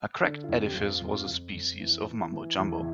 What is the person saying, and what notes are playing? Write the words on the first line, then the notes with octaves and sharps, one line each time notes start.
'A cracked edifice was a species of Mumbo Jumbo'.
D3 D4
F4
F2 E4
G4
F2 F4
F2
F2
F2
E3
E4
E3
E2 E4